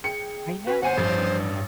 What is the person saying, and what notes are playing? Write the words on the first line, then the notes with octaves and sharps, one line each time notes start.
I know.
G#4 G5 C#7
F#4 B4
G1 C5 F#5 G#5
A1 G2 F3